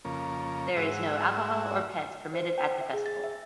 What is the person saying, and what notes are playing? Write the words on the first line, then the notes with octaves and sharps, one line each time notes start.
There is no alcohol or pets permitted at the festival.
F2 C#3 A#3
G#2 F#4 E5
C5
G5
E5
G#4
A6
E5